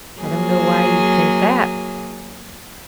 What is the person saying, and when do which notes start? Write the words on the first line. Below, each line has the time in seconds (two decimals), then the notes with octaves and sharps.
"I don't know why you'd think that."
0.20 F#3 A#3 G#4